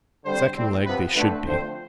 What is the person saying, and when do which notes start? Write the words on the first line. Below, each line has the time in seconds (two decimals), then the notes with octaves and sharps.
Secondleg they should be.
0.24 D3 G3 C4 C5
0.54 A2 G3 C4
0.85 C3 F3 B3 B4
1.15 D3 A3 C4 B4
1.45 D3 F3 A3 C4 C5